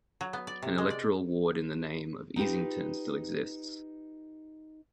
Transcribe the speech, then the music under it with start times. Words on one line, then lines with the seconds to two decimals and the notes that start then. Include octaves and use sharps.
An electoral ward in the name of Easington still exists.
0.21 F#3
0.33 B3
0.47 D5
0.62 C3
0.78 G#3
0.90 D5
2.36 D#4 F4 G4 B4